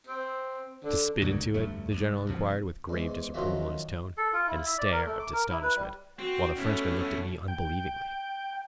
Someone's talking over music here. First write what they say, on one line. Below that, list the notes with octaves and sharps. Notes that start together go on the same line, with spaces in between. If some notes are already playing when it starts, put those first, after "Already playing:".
"To spit into it?" the General inquired with grave disapproval in his tone, and a stare, of astonishment, while the Frenchman looked at me unbelievingly.
C4
D3
C#2 A#2 D3
F1 D2 G2 A3
C2
G2 C3 F3
E2 G#2
F#2 D#3 F3 F4 F#4 E5
A4
F4
E4
E5
D5
A#4
A3
D6
A#4
E4
B4
G3
C4 F#4
B2 A3 C#4 E4
G5